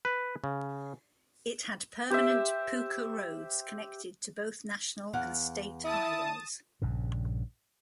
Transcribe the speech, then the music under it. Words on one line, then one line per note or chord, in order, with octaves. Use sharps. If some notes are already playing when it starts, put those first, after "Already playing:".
It had permanent pucca roads connected to both national and state highways.
B4
C#3
G4 C5 E5
E2 F5 F#5
E4 A5 D#6
A#1 G2 C#3